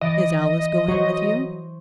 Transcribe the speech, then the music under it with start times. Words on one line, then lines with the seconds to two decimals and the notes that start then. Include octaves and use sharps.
'Is Alice going with you?'
0.01 E3 D5 D#5
0.88 F#3 C5 C#6